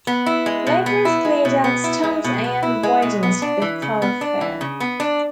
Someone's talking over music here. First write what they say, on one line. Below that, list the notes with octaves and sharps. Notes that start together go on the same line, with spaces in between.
Laborers cleared out stumps and widened the thoroughfare.
B3
E4
G#3
B2
B3
E4
G#3
B2
B3
E4
G#3
B2
B3
E4
G#3
B2
B3
D4
E3
C#3
B3
D4
E3
C#3
B3
D4